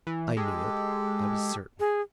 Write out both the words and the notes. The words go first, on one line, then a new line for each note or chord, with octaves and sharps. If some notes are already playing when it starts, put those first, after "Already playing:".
I knew it, I was certain.
E3
G#3 G4 A4
G#4